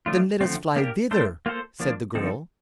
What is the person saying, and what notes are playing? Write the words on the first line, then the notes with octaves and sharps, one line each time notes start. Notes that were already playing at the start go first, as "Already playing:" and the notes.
"Then let us fly thither," said the girl.
F3 A3 D4 F4
D3 F3 A3 C4
A#3 D4 G4 A#4
A3 D4 A4 C5
A#3 F4 A4 C5
F3 A#3 D4
D3 F3 C4 D#4 A4